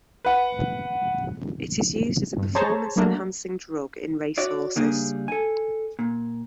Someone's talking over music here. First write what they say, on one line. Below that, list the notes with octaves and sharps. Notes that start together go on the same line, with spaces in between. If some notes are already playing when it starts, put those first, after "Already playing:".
It is used as a performance-enhancing drug in race horses.
B4 F#5
G2
G#4 C5 C#5 A5 A#5
F#3 A3 A#3 D4
F#4 C#5 D5
C#3 G3 A#3 D4 G#4
A4 G#5
A#2